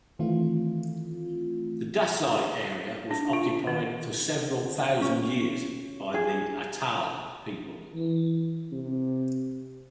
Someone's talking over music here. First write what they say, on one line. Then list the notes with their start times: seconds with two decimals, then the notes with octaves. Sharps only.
The Dasi area was occupied for several thousand years by the Atayal people.
0.19 D#3 E3 A3 C4 F4
3.11 D4
3.33 F4
3.67 D#3
5.01 C#4
6.14 G#4
7.95 E3
8.72 C3